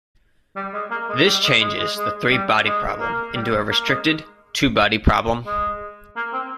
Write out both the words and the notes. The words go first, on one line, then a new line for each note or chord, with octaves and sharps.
This changes the three-body problem into a restricted two-body problem.
G3
G#3
A#3
G#3
G3
G#3
G#3
G#3
G#3
G3
G#3
A#3
G3
A#3
G#3
G#3
A#3
C4